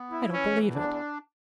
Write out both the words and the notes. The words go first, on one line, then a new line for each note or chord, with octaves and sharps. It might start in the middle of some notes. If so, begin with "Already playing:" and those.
"I don't believe it!"
Already playing: B3
E4
E3 C#4
E2
D4